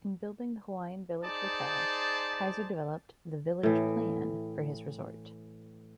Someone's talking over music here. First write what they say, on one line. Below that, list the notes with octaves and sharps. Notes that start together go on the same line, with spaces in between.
In building the Hawaiian Village Hotel, Kaiser developed the "village plan" for his resort.
D#4 G#4 C5 D5 A5
A2 E3